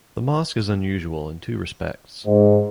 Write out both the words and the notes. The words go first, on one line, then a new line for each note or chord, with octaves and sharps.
The mosque is unusual in two respects.
G#2